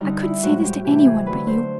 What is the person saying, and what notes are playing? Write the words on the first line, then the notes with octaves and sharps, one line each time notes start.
I couldn't say this to any one but you.
D3 G3 D#4
E4
A2 F3 G#3 F#4
G4
C3 E3 A3 G4
G#4
D3 F#3 A3 B4
C5